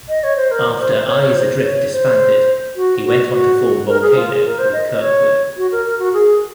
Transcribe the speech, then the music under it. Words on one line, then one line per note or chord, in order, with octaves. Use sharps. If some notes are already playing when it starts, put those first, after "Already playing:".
After Eyes Adrift disbanded, he went on to form Volcano with Kirkwood.
D#5
C#5
C5
A#4
C5
C#5
C#5
C5
C#5
C5
F#4
F#4
F#4
A#4
G#4
F4
G#4
A#4
C5
D#5
D#5
C#5
F#4
A#4
A#4
F#4
G#4